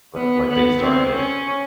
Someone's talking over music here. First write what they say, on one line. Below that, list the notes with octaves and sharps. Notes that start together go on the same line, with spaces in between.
But, like, they started it.
B3
B3
C4
C#4